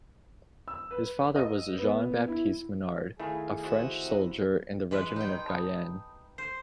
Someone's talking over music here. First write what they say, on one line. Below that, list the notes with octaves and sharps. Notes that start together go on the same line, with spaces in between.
His father was Jean Baptiste Menard, a French soldier in the regiment of Guyenne.
E6
B4
D#5
B3
E4
D#3 A3 E4 G#4 F5 G#5
F#4 C5 D#5 E5 F#5
C3
E3 G#3 B4
D#4 G5
D#5 C6
A5 B5 D#6
C5 C7